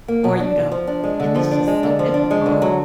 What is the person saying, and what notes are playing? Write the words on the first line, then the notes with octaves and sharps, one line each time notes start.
or you don't, and it's just so difficult.
A#3
B2
D4
B2
F3
D4
G#3
D3
F3
D4
G#3
D3
F3
D4
G#3
D3
F#3